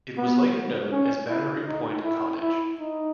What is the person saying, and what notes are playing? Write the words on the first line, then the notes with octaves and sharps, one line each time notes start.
It was later known as Battery Point Cottage.
B3
C#4
E4
D#4
E4
E4
D#4